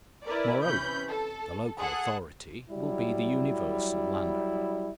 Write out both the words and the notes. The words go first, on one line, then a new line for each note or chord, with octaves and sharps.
Moreover, the local authority will be the universal landowner.
E4 A#4 B4 D5
C3 E3 C#4 B5 G6
A4
G#4 A4 F#5
F#3 G3 E4